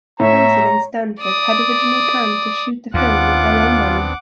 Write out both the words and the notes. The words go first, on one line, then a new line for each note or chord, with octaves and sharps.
Posin and Stanford had originally planned to shoot the film with their own money.
A2 C#5 E5 A#5
D5 D#6
D#2 B3 C4 D4 F4 F#5 D6